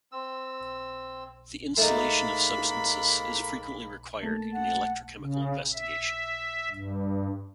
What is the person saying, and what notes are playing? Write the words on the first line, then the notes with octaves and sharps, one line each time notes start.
The insulation of substances is frequently required in electro-chemical investigation.
C4 E6
G#2 A3 A#3 D#4 B5
A3 A#3 A5
F#5
C#3
E5
G2